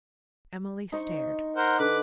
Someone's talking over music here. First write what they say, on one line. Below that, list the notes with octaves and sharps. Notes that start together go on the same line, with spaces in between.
Emily stared.
D#4 C5 C#6
A#4 C5 F#5
D3 B4 D6